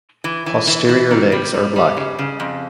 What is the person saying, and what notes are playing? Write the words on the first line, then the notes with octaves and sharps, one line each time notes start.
Posterior legs are black.
E3
E3
E3
E3
D#3
G3
G3
G3
C#3
C#3
F2